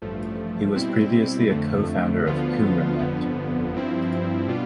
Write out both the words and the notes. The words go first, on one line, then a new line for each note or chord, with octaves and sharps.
He was previously a co-founder of Qumranet.
A1 G2 F3 A3
B2 G3 C4 E4
F2 D3 A3
D2 D3 F3 B3 F4
G1 F2 D3 F3 B3
G2 F3 C4 E4
B2 G3 B3 D4 F4